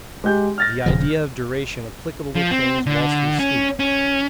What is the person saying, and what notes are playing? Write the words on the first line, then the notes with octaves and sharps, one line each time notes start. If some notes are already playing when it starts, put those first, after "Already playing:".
The Idea of Duration applicable to Things whilst we sleep.
G#3 G4 G6
F6 A6 A#6
D#1 C#3 F3
F3
C4
D3
C#4
C#4